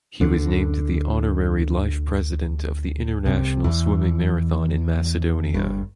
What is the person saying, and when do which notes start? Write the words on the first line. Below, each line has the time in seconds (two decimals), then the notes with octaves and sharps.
He was named the Honorary Life President of the International Swimming Marathon in Macedonia.
0.21 D2 D3
3.26 C2 C3
3.64 E2 E3
5.54 G1 G2